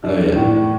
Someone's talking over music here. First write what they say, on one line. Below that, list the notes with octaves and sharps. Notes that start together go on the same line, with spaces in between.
Oh, yeah.
D4
A2